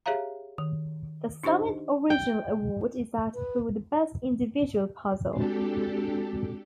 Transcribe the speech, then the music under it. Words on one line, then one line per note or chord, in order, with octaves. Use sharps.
The seventh original award is that for the Best Individual Puzzle.
G4 G#4 C#5 E5 F5 A#5
D#3
D4 D#4 G4 C5 D#5
G5
B4
G#3 C4 D4 F#4 G4 A4